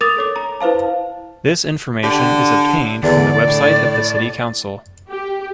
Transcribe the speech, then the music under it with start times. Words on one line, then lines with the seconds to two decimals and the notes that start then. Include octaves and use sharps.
This information is obtained from the website of the city council.
0.01 A#4 D6 D#6 A6 F7
0.17 A4 C#5 D6
0.36 A#5
0.61 E4 B4 C5 F5 A5
2.04 D3 G4
3.03 E2 D3 D5
3.47 A2
5.09 G4